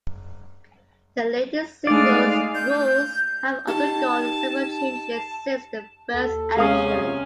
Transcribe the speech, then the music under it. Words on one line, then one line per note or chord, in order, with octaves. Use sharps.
The Ladies' Singles' rules have undergone several changes since the first edition.
G#3 A3 D#4 D5 F5
G6
D#4 G4 A5
D#2 A4
C3 G#3 C#4 F5 D#6